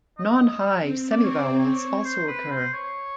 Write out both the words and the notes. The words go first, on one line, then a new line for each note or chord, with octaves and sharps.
Non-high semivowels also occur.
D#5
C4
C4 D5
C#5
D5
C#5
C5
B4
C5
C#5